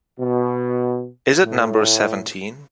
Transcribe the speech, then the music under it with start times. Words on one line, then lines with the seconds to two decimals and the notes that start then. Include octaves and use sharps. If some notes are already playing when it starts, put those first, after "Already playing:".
Is it number seventeen?
0.19 B2
1.43 A2